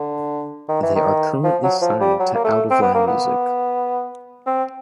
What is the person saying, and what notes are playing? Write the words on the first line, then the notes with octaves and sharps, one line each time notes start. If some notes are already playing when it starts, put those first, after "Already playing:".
They are currently signed to Out of Line Music.
Already playing: D3
D#3
E3
D#3
F3
F#3
F3
G3
F#3
A#3
A3
C4
B3
A#3
B3
C4